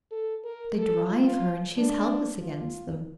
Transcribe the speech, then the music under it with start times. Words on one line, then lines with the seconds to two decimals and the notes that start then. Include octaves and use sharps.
They drive her, and she is helpless against them.
0.11 A4
0.44 A#4
0.78 A4
1.10 F4
1.77 D4
2.42 F4